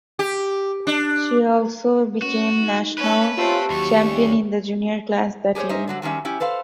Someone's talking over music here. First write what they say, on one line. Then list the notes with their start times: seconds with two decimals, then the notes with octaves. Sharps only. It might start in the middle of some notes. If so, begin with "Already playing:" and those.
She also became national champion in the Junior class that year.
0.19 G4
0.87 D4
2.22 C#4 F#4
2.60 D#4
2.98 C#4 A4 B4
3.37 A3 C4 C#4 F4 G4
3.70 D#2 F#3 C#6
4.02 G3 C#4
5.55 G4 G#4 A#4 C5 C#5
5.69 C#4 D#4 C5 D#5 E5
5.87 D3 F#3 F#4
6.02 F2 D#3 G3 C#4 E5
6.25 C#4 E4 G4
6.40 A4 B4 C5 F5